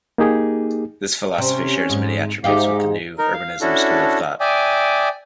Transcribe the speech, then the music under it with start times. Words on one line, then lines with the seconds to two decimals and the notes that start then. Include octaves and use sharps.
This philosophy shares many attributes with the new urbanism school of thought.
0.18 A#3 D#4 G4 G#4
1.38 C3 C#4
1.90 G#2
2.44 G#2 D#4 G4 E5 F5 D6
3.18 D#4 A#4
3.34 F5
3.61 C#4 D4 E4 F#4 A4
4.40 D5 E5 G5 G#5 D6 D#6